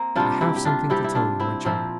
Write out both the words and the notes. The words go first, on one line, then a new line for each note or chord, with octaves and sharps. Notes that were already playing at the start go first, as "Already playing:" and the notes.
I have something to tell you, my child.'
Already playing: A#3 C4
C3 G3 D4 F4
E4 G4
G4
D4 F4
C3 G3 E4 G4
E4
D4 F4
C4 E4
A#2 F3 C4 E4